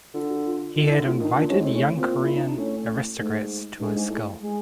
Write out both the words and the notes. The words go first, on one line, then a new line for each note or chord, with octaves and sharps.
He had invited young Korean aristocrats to his school.
D3 F4
F#4
F4
D#3 F4
D3 E4
A2 F4
D#3 D4
A#2 D4
G#2 C#4
C4
A2
C#4
A#2 C4
E4
D#4
D4
A2 C#4
G#2 A3
G2 G#3
G#2
A2
G#3